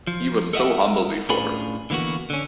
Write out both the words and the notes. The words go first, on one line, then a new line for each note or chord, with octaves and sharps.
He was so humble before her.
F3
A4 A#4 D#5 E5 F#5
A2 C#4 D4 F4 G#4 B5
D3 E3 A#3 B3 F#4
D3 C#4